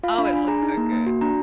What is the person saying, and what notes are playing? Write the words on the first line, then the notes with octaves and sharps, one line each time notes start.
Oh, it looks so good.
F4 F5
D4 B5
D4 G#5
G#4 A#5
D#4
A#3
A#3
F#4
D4 A#5